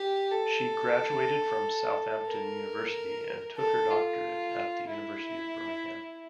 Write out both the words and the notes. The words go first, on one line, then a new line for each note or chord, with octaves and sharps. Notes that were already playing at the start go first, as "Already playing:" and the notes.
She graduated from Southampton University and took her doctorate at the University of Birmingham.
Already playing: G4
A4
A#4
A4
F4
E4